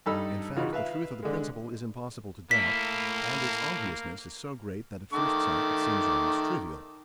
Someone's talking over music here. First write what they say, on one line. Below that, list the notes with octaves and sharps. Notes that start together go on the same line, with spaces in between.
In fact, the truth of the principle is impossible to doubt, and its obviousness is so great that at first sight it seems almost trivial.
G2 D#4 A4 B5 E6
C#3 E3 D#4 F4 F#4
B4 E5 F5
D3 G#3
A2 A#3 E4 B6
D#3 A3 D6